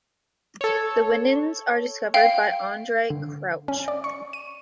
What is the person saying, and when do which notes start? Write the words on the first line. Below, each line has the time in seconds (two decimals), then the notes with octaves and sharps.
The Winans were discovered by Andrae Crouch.
0.61 A4 C#5
2.14 F5 G5
3.10 D3
3.68 C#4
3.88 D5
4.04 C#6
4.33 D#7